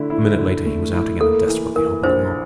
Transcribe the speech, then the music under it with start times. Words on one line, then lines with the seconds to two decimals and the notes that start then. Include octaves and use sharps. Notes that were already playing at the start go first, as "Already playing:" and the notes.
A minute later he was out again and desperately hobbling on.
Already playing: D3 A3 E4
0.10 E4
0.37 D3
0.66 A3
0.93 E4
1.21 A#3 A4
1.48 E3
1.76 E3 A#4
2.04 A#1 C5